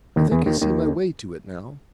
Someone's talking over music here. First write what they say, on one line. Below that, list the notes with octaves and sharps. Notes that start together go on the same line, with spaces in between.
I think I see my way to it now.
D#2 D#3
E2 E3
D#2 D#3
D#2 D#3